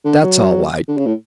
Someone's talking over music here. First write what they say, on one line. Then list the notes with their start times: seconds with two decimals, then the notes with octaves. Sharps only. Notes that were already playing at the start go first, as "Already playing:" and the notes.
That's all wight.
0.05 D3
0.23 F#3
0.88 D3
0.97 C#3
1.06 A2